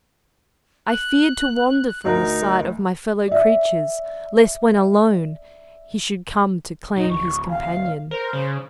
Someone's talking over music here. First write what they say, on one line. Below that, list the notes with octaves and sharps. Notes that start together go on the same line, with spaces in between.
I feared to wander from the sight of my fellow creatures lest when alone he should come to claim his companion.
F#6
D2 D#4 A#4
D5 E5
A#1 D#4
D1 C#6
F5
A#4 C5
C#3